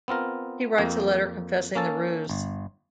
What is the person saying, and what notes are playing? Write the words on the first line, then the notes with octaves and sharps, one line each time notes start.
He writes a letter confessing the ruse.
B3 C4 F4 A#4
F2 A#3 G5
A#3 C#4 A4 A5
G1